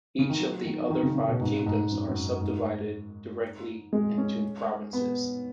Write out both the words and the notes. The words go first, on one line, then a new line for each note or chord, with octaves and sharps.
Each of the other five kingdoms are subdivided directly into provinces.
C#3
D#3
F#3
D#3
D#3
C#3
C#3
B2
G#2
G#2
F#2
F#2
G#2
G#3
C#4
B3